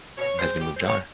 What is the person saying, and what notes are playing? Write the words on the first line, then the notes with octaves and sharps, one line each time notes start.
you guys have moved on.
B2 C#5
G#3 C4 C5
B2 G4
C5
G#3 C4
C#5